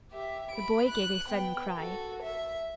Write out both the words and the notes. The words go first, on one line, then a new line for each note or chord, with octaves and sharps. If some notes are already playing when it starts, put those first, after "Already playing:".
The boy gave a sudden cry.
G4 E5
B5 D7
F#6
B3 G5
F#4 A4
E5